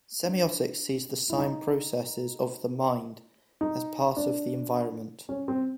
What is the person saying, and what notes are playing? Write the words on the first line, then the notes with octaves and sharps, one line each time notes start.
Semiotics sees the sign processes of the mind as part of the environment.
D4
E4
D#4
D#4
D4
C#4
C4